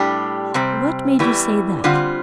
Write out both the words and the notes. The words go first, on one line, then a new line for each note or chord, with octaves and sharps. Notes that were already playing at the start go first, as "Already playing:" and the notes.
"What made you say that?"
Already playing: A2 G3 D4 G4
C3 G3 C4
E2 E3 G3
D3 G3 C4 F4